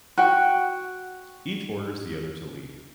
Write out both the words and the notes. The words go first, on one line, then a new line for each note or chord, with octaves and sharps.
Each orders the other to leave.
F#4 G5